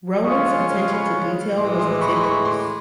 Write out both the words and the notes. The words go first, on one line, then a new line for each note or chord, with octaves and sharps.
Rowland's attention to detail was meticulous.
C#3 F3 G#3 C#4 F4 C#6 D#6
B5 C#6
A2 E3 G#3 C6 D6
C6 D6
D6
B5 C#6
C6
B5 C#6
C6 D6